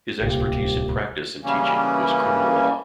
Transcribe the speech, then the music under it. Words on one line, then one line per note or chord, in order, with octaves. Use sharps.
His expertise in practice and teaching was criminal law.
D1 C2 A#2 G4
C#3 E3 G3 A#3 C#4